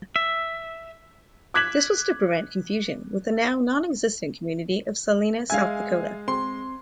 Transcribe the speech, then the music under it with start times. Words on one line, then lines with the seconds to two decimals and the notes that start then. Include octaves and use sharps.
This was to prevent confusion with the now non-existent community of Salena, South Dakota.
0.16 E5
1.54 D6 F#6 G#6 B6 E7 F#7
5.50 G#3 E5 F5 G#5 G#6
6.28 C4 C6